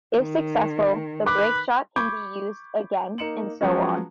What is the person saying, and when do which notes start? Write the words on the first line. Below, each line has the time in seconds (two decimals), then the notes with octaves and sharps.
If successful the break shot can be used again and so on.
0.17 D#3
1.26 B4 D6
1.96 B5 C#6 D6 G6 G#6
3.18 A#3 D#4 C#7 E7 F#7
3.61 F3 F#3 G#3 B3 C#4 F#4